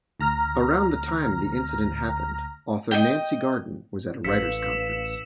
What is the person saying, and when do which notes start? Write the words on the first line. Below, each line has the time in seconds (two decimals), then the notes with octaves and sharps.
Around the time the incident happened, author Nancy Garden was at a writers' conference.
0.19 D2 A#5 F6 A#6
2.91 D#5 E5 G5
4.24 A1 C#4 B4 F5 E6 B6 C#7 E7